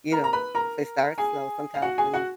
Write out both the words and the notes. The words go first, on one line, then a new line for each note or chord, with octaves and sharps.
you know, if they start slow sometimes when
A#4 A#5
A#5
B4 B5
A#4 A#5
G#4 G#5
F5
F#4 F#5
G#4 G#5
F#4 F#5